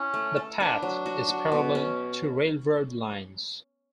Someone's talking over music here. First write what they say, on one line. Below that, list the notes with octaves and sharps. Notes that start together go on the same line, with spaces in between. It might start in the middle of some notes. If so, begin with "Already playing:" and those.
The path is parallel to railroad lines.
Already playing: C#4 E4
A3
A4
D4 B4
F#3
F#4
F#4
B2
C#4